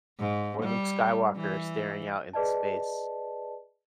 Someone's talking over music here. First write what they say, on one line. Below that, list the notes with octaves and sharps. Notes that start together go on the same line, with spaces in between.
when Luke Skywalker's staring out into space,
G#2
G3
E3
G#4 B4 D5 D#5 A5